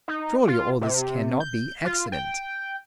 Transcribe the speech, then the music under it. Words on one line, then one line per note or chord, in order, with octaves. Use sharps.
Surely all this cannot be accident!
D#4
F4
C3
G6
F4
G5